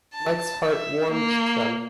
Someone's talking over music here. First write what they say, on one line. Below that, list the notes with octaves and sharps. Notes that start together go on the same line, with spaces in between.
Mike's heart warmed to them.
A5
E5
A#3